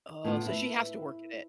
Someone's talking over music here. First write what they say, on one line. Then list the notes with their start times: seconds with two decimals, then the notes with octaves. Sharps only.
Oh, so she has to work at it.
0.24 A2 B3 F4
0.47 E4 B4